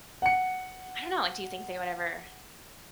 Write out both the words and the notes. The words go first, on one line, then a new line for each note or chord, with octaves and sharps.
I don't know, like, do you think they would ever,
F#5 C#7